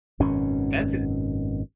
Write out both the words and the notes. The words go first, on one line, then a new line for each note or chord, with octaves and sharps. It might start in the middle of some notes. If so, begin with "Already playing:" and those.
that's i
G#1 F#2 B2 C#4